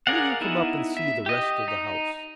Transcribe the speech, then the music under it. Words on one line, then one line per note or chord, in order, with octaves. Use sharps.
"Will you come up and see the rest of the house?"
G#4 A#4 D5 F5 F#5
B3 D#4 E4
E5
G4 D#5
D#4